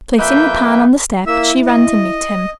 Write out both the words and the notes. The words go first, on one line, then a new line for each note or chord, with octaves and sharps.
Placing the pan on the step, she ran to meet him.
F2 A#3 B4 E5 G5 G6
A#3 E4 E5 E6
D#5